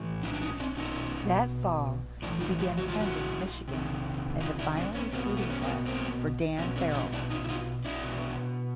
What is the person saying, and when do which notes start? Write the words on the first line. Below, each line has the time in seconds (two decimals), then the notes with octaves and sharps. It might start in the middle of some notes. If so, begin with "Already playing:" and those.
That fall he began attending Michigan in the final recruiting class for Dan Farrell.
Already playing: A2 E3
0.23 D4 E4
0.33 D4
0.42 C#4 D#4
0.60 C4 D4
0.77 B2 C#4 D#4
2.22 A2 E3 D4 E4
2.40 D#4 F4
2.59 E4 F#4
2.78 F#4
2.88 F4
3.00 E4 F#4
3.68 C3 D#3
4.40 D#4 F4
4.59 D4 E4
4.77 C4 D4
4.95 B3 C#4
5.13 B2 A#3 C4
5.37 A3 B3
5.50 C#4
5.62 A#3 C4
5.86 A#3 C4
6.58 B2 B3 C#4
6.76 C4 D4
6.90 D4
6.95 C#4 D#4
7.13 D4 E4
7.30 D#4 F4
7.44 E4
7.49 D#4 F4
7.85 D4 E4
8.03 B2